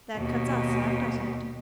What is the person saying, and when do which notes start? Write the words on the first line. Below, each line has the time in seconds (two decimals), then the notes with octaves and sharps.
"That cuts us out, doesn't it?"
0.17 D#2 B2